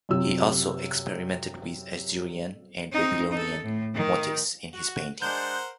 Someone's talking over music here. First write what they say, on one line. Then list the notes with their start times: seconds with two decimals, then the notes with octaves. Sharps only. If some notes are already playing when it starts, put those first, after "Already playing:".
He also experimented with Assyrian and Babylonian motifs in his painting.
0.09 F#2 C3 F4 E6
2.93 C4 D#4
3.32 D#4 A4
3.63 A2
3.95 D#3
4.74 F#4
5.22 G#3 D4 A#4 C5 F#5 G6